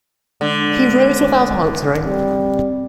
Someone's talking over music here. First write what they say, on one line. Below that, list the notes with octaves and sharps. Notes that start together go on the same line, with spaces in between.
He rose without answering.
D3 G#3
G3 C4